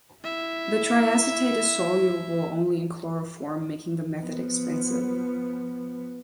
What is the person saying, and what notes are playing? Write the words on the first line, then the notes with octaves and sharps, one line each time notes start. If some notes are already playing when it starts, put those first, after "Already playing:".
The triacetate is soluble only in chloroform making the method expensive.
E4 E5
F3 B3